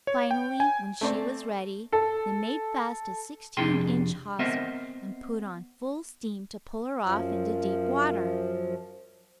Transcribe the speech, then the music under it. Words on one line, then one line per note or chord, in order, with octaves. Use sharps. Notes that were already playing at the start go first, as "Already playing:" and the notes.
Finally, when she was ready they made fast a sixteen-inch hawser, and put on full steam to pull her off into deep water.
C#5
G5
G#5
A3 C4 D5
A4
F2 C3 D4 G#4 G5 C6
B3 C4 A#4 C5 D#5 E5
F#2 F3